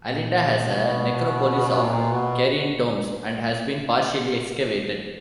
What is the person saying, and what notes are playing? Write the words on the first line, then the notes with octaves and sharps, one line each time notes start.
Alinda has a necropolis of Carian tombs and has been partially excavated.
A#2
B2
A#2
B2